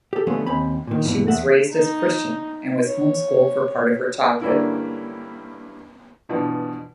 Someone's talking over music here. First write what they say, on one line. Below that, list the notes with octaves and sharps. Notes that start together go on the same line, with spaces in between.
She was raised as a Christian and was homeschooled for part of her childhood.
G4 A4
D3 F3 G3 A3 B3 C#4
D#2 C4 C#4 B5
A#2 D#3
G2 B2 E3
E2 E5 F#5
D#4
C#5
G2 D3 G3 A#3 C#4 E4
G2 B2 E3 F3